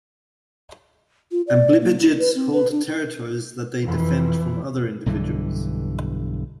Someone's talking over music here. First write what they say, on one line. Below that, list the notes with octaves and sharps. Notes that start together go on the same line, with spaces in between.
Amblypygids hold territories that they defend from other individuals.
F4
D5
A#3
E4
B4
C4
B4
D4
F2 E3
B1 G2 D3 E3